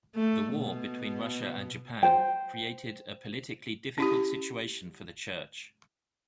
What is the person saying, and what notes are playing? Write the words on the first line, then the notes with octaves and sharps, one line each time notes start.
The war between Russia and Japan created a politically difficult situation for the church.
A3
B2
C5 G5
C#4 E4 G4